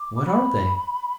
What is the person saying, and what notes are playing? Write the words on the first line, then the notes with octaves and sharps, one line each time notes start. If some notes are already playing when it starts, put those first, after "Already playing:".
What are they?
Already playing: D6
B5